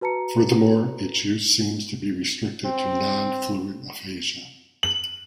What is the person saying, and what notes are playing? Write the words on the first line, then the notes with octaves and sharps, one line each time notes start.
Furthermore, its use seems to be restricted to non-fluent aphasia.
F#4 B4 A5 A#5 C#7
C4
F#7